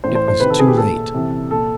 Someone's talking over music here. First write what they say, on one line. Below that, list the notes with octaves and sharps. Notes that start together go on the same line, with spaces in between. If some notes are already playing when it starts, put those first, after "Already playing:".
It was too late.
A2 E3 C5
C5
C5
C3 D#3 B4
A4
G#4
G4
A#2 A4
C3 E3
A#2 A4